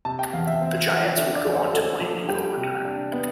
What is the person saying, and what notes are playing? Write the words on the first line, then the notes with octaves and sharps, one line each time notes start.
The Giants would go on to win in overtime.
C3 A5
G5
E2 F5
E5
C4
F3
D3 E5
D5
F2
C5
A3 A4
F3
G3 G4
C3
D4
B3